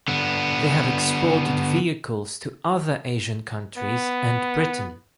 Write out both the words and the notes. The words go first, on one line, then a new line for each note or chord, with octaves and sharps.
They have exported vehicles to other Asian countries and Britain.
D3 B3
B3